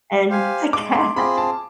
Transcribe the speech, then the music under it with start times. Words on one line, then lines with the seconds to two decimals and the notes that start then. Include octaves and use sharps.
and the cat,
0.29 G4 C5 F5 G#5
0.73 G#3 D6
0.94 C6
1.16 C4 F4 G#4 B5
1.38 A5